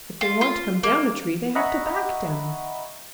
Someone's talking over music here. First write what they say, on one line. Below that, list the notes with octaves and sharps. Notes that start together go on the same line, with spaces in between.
If they want to come down a tree they have to back down.
F4
F4
A#3
D#5 E5 F#5 A#5 B5 C#6